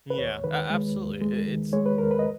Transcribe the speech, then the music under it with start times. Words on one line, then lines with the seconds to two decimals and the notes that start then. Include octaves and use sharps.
Yeah, a absolutely, i it's,
0.10 B4
0.18 D#2 C#5
0.44 D#3 B4
0.70 G#3
0.96 D#2
1.21 G#3
1.47 D#3
1.73 G#3 C#5
1.86 B4
1.98 D#2 A#4
2.11 B4
2.19 D#5